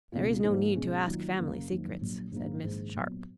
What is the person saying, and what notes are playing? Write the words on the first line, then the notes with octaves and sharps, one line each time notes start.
"There is no need to ask family secrets," said Miss Sharp.
C#2 B2 A#3 F4
G#2 F3 A#3
B2 G#3 C#4
D#3 F#3 A#3 F4
F#2 C#3 F#3 A#3 C#4
F2 D#3 F#3 A#3
A#1 A#2 F#3
A#1 G#2 F#3 A#3
A#1 G#2 D#3
A#2 F#3 B3